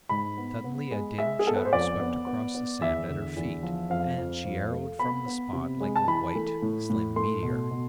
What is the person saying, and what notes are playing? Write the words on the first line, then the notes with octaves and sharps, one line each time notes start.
Suddenly a dim shadow swept across the sand at her feet, and she arrowed from the spot like a white, slim meteor.
G#2 B5
B3
B3
G#3
G#3 E5
G#4
B3 A4
B4
C5
F2 D5
B3
B3
B3
E2 E5
D3
E2
F3
F2 F5
F2
F2
A3
B3 B5
B3
C3
G#3
A5
E3 B5
A3
A2
A2
A3 C6
B2
B2